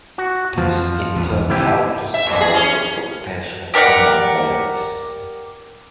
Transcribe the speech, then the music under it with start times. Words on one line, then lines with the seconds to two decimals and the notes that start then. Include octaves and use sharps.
This in turn helped to sour his reputation among Loyalists.
0.18 F#4
0.58 F2 E3 F3
1.16 E2
1.50 C3 D#3 F3 E4 G4
2.14 E5
2.26 A#2
2.41 G#4
2.54 C#4
3.74 G4 A#4 D5 F#5